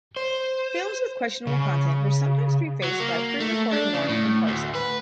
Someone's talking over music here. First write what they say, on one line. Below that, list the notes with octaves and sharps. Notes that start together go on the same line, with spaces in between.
Films with questionable content were sometimes prefaced by a pre-recorded warning from Carson.
C5
C#3
F#3
A#3
A3
D4
C#3
A2
D2
B4